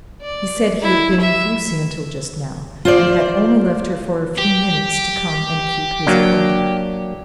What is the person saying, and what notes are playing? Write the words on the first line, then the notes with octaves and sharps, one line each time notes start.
He said he had been with Lucie until just now, and had only left her for a few minutes, to come and keep his appointment.
D5
E4
E5
F4 C5 D5
G4
F#3 A#3 D4